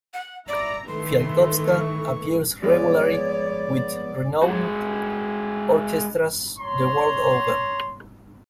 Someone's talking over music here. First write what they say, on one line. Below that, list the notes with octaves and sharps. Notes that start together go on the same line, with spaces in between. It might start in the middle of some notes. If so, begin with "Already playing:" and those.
Fialkowska appears regularly with renowned orchestras the world over.
F#5
E4 D5 A#5
D#3 E3 A3 C6
C#6
F3 G#3 B3 C#5 D5
G#3 F#4
C#5 A#5 C6